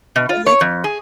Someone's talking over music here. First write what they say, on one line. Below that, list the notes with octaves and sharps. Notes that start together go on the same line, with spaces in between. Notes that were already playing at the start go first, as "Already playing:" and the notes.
That makes
B2
F4
C#5
F2
G#4